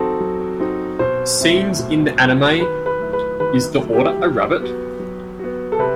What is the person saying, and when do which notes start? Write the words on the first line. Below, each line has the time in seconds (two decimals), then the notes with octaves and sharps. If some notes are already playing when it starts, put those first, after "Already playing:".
Scenes in the anime Is the Order a Rabbit?
Already playing: F#3 C4 D#4 F#4 A4
0.20 F#3
0.60 C4 D#4 F#4
0.99 B2 C5
1.40 F#3 A3 C4 E4
1.79 B2
2.19 F#3 A3 C4 E4
2.59 D#3 B4
2.86 B4
3.00 F#3 A3 E4
3.13 B4
3.40 D#3 B4
3.79 F#3 A3 E4
3.93 G4
4.19 F#3
4.60 B3 F#4
4.99 F#3
5.39 B3 F#4
5.72 A4
5.79 C3 B4